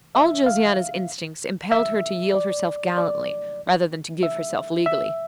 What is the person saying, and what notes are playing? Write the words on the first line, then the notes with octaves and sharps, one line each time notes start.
All Josiana's instincts impelled her to yield herself gallantly rather than to give herself legally.
E5
F5
E5
D5
D5
E5
E5